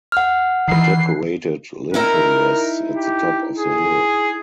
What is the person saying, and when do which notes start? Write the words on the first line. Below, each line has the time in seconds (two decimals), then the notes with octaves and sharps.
A decorated lintel rests at the top of the hill.
0.12 F#5 F6
0.68 D#3 E3 C7
1.94 D#4 E4 A#4 E5
2.97 G4
3.58 G#4